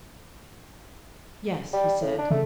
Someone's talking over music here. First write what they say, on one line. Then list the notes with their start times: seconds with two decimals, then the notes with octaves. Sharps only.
"Yes," he said.
1.73 G3
2.01 A2
2.18 D4
2.31 C#3 A3